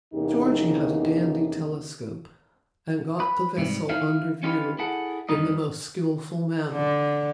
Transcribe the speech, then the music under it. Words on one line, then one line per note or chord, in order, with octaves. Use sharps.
Georgy had a dandy telescope and got the vessel under view in the most skilful manner.
E2 C3 A#3 C#4 D#4 G4
B4
G#2 C3 G3
D#4 E4 E5 F5
C#4 D#4 F4 G4 A#4 B4
E4 G#4 A4 F#5
F2 D#3 G3 D#4 A#4 D#5
D3